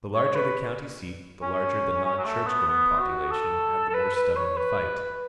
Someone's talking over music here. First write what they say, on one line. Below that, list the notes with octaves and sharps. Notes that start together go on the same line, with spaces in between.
The larger the county-seat, the larger the non-church-going population and the more stubborn the fight.
C#5
B4
C#4
C#4
F#3
A3
B3
B3
F#4
A4
A4
B4
B4
C#5
B4